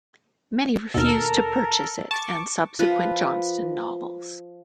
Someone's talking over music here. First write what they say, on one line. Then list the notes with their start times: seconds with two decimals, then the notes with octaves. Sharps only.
Many refused to purchase it and subsequent Johnston novels.
0.94 D#2 B2 A4 A#4
2.11 A5 C#6 D6
2.79 F3 B4